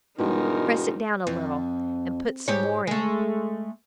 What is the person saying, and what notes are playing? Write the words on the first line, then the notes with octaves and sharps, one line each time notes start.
Press it down a little, and put some more in.
E1 G#2 B2 F3 G3 D#4 A#4
F2
G#2 G4 C#5
G#3 A3